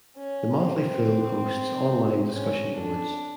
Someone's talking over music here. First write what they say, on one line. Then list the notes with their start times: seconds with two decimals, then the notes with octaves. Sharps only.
The Motley Fool hosts online discussion boards.
0.17 C#4
0.60 C4
2.32 C#4
2.76 D4